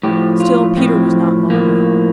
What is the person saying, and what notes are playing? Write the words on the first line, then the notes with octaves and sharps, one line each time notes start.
Still Peter was not lonely.
A2 F3 G4
F4
A2 F3 C4
A2 F3 A#3